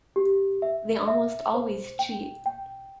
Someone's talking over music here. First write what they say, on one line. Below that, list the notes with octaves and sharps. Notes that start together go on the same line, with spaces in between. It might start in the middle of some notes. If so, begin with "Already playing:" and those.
They almost always cheat.
G4
E5
E5
C5
G5
G5